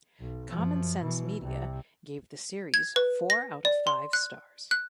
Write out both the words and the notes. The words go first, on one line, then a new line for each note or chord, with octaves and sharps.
Common Sense Media gave the series four out of five stars.
B1
F#2 F3
B2 E3
C2 C3
G#6
B4
A#6
D5
C6
F#6
F#6